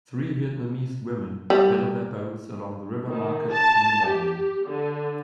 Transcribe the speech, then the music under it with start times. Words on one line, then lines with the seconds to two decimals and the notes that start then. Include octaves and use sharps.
Three Vietnamese women paddle their boats along the river market in the morning.
1.50 G3
3.08 D#3
3.50 A5
4.05 G4
4.65 D3